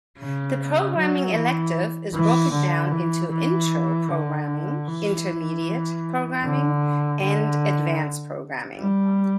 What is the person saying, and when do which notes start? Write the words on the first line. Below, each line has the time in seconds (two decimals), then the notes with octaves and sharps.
The Programming elective is broken down into Intro Programming, Intermediate Programming, and Advanced Programming.
0.18 C#3
0.96 F#3
1.35 E3
2.13 E3
2.52 D3
2.92 E3
3.31 E3
4.09 D3
4.87 E3
6.43 D3
7.22 D3
8.79 G3